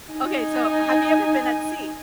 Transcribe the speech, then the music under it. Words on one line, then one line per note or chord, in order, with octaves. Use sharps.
Okay, so have you ever been at sea?
D#4 G#5